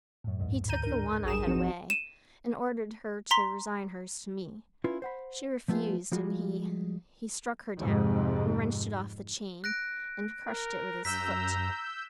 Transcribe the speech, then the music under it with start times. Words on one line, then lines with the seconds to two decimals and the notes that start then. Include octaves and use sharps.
He took the one I had away, and ordered her to resign hers to me; she refused, and he--he struck her down, and wrenched it off the chain, and crushed it with his foot.'
0.24 F#2 A2
0.38 B1 E2 G#2
0.68 D2 A#5 G6 D#7
0.83 D4 A#4
1.24 A1 F#2 G#4 D#6 E7
1.47 F3 C4 D#4 F#4
1.90 D#7 E7
3.31 A#5 C6 B6 G7
4.84 C#4 E4 F4 B4
5.02 C5 F#5 B5
5.68 F3 A3 B3 E4 F4 G#4
6.12 F3 G3 G#3 F4 F#4
7.79 F2 G#2 C3
9.64 F#6 A#6 D7
10.47 A#4
11.05 F#2 A#5 E6 G6 B6